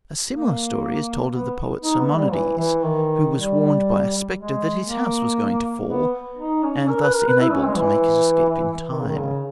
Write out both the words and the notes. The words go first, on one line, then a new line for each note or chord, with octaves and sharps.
A similar story is told of the poet Simonides, who was warned by a spectre that his house was going to fall, and thus enabled to make his escape in time.
A#3
B3
D#4
B3
G3
E3
E3
D#3
G3
G#3
A#3
B3
D#4
C#4
A#4
B4
A#4
B4
E4
C#4
G#3
E3
D#3
C#3
D#3
C#3